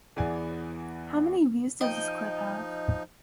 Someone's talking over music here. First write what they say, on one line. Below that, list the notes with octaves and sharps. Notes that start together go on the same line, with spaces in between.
How many views does this clip have?
E2 E3 B3 G#4 D5 G#5
F3 D#4 D#5 G5